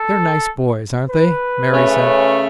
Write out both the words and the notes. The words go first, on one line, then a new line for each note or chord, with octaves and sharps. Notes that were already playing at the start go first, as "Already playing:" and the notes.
"They're nice boys, aren't they?" Mary said.
Already playing: A4
B4
C#3 A3 C#4